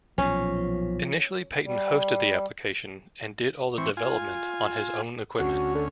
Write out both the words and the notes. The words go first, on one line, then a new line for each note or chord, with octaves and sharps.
Initially Peyton hosted the application and did all the development on his own equipment.
B1 A#2 F3 C#4
G3
E3 C4 C#6
F4 G#5
D2 C#4 F#4
D3